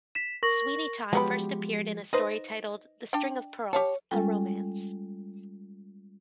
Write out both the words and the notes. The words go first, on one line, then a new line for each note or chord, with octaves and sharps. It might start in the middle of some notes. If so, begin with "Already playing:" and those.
Sweeney Todd first appeared in a story titled "The String of Pearls: A Romance".
B6 E7
A#4 C#6 A#6 F#7
F3 F#3 G#3 B3 G4 B5
D#4 B4 C5 D#5
D4 G5
G4 C#5 F5 A5
G3 G#3 C#4 F4 A4